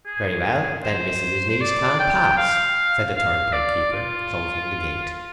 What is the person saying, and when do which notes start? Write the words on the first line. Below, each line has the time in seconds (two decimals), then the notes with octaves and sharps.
"Very well; then mis'ess's niece can't pass," said the turnpike-keeper, closing the gate.
0.06 G#4
0.83 C5
1.49 C5
1.60 D5
1.99 G5
2.37 F5
3.15 F5
3.53 D5
3.92 F4